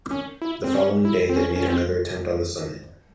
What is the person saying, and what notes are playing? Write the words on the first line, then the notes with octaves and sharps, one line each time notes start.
The following day they made another attempt on the summit.
C#4
E4
C4
C#4
E4
C4
C#4
C#4
C4